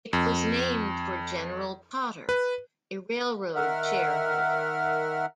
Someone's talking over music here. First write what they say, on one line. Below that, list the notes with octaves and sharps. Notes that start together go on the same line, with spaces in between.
It was named for General Potter, a railroad shareholder.
F2
B4
D#3 A#4 E5 F#5 F6